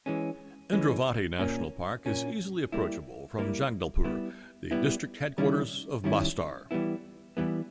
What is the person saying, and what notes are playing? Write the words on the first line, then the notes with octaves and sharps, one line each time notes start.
Indravati National Park is easily approachable from Jagdalpur, the district headquarters of Bastar.
E3 G#3 C#4
E3 G#3 C#4
A#2 A#3 C#4
A#2 A#3 C#4
G3 A#3 E4
G3 A#3 E4
G3 B3 E4
G3 B3 E4
D#3 G3 C#4 E4
D#3 G3 C#4 E4
E3 G3 B3 E4
E3 G3 B3 E4